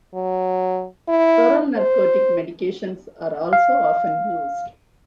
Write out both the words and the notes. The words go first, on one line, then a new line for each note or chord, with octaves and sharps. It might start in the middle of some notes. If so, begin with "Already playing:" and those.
Oral narcotic medications are also often used.
F#3
E4
C5
F5